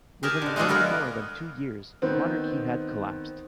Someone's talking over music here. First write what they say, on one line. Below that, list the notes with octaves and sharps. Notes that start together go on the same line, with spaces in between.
Within little more than two years the monarchy had collapsed.
G4 G#4 A#4 G#5 A5
B2 D3
G#3 A#3 F4 F#4 G#4 A4
G3 B3 F4 A#4
D#3 B3 C4